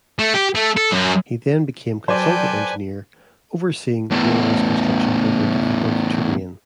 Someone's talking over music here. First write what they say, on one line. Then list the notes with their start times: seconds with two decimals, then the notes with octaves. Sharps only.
He then became consultant engineer, overseeing the railway's construction over difficult terrain.
0.19 A3
0.34 G4
0.55 A3
0.77 A4
0.92 F#2
2.08 F#3 A4 B4 C5 D5 G5 G#5
4.11 E2 A2